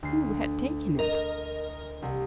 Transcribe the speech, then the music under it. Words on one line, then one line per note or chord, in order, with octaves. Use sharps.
Who had taken it?
D2 C7
A#4 D#5
C2